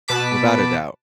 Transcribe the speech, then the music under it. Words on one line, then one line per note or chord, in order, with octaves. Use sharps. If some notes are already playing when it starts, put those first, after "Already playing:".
Without a doubt.
B2 B4 A5 D6 B6